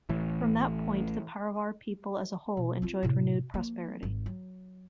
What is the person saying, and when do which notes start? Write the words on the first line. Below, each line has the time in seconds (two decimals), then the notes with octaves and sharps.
From that point the Paravar people as a whole enjoyed renewed prosperity.
0.09 A1 A2 E3
2.57 B2
2.82 C4 F4
3.03 A2 C3
3.54 F3 A#3
4.03 G#1
4.26 F#3